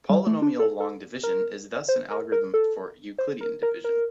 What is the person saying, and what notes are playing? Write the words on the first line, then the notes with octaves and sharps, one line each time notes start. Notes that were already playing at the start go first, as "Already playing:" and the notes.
Polynomial long division is thus an algorithm for Euclidean division.
G3
A3
D4
A4
A4
A#4
C5
A#4
A#4
A4
C5
A#4
A#4
A#4